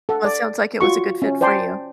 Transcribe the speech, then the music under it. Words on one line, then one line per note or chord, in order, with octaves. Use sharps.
Well, it sounds like it was a good fit for you.
A4 F#5
D5
F4 F#4 C#6
C#4
C5 D5 G5 A5 C6